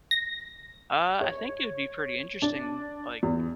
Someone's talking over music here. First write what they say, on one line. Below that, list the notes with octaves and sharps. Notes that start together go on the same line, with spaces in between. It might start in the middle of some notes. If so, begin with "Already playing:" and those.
Uh, I think it would be pretty interesting, like,
A#6
C#5
D4
E2